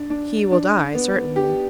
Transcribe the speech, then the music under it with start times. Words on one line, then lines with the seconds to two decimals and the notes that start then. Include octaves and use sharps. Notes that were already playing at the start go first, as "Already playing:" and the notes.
"He will die, certainly."
Already playing: D4
0.10 D4
0.52 D4
0.95 B3
1.36 G4